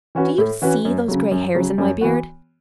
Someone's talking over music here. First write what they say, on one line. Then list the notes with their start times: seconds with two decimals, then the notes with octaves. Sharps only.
"Do you see those grey hairs in my beard?"
0.15 E3 C#4 F#4 B4
0.38 A2
0.62 E3 C#4 F#4 B4
0.85 F#2
1.08 C#3 F#3
1.31 F#2
1.55 C#3 F#3
1.78 F#2
2.01 E3 B3 F#4